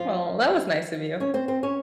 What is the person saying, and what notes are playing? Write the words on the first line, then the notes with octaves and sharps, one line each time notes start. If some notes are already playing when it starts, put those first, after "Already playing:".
Well, that was nice of you.
Already playing: F3 F4
C#4 C#5
C4 C5
C4 C5
C#4 C#5